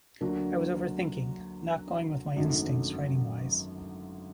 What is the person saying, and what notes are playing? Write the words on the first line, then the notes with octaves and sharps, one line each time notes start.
I was over-thinking, not going with my instincts writing-wise.
D2 D3 F#3 A#3 D4
G#1 F#2 D3 F#3 A3